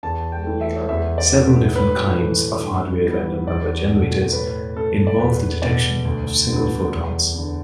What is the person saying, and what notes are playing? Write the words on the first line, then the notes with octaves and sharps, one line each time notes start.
Several different kinds of hardware random number generators involve the detection of single photons.
E2 A5
G5
E3 A3
E5
E2 E5
D5
B2 A3
B4
A2 B4
E3 A3
G2
E3 G3 B3
E2 D5
B2 A3
A2 B4
A3 A4
D5
E2 B4
B2 B3 D5
D2
D3 G3 B3
E2
D3 B3